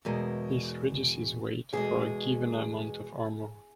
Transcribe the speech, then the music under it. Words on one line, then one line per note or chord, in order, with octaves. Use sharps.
This reduces weight for a given amount of armour.
E2 B2 G#3 A#4
E2 B2 G#3 G#4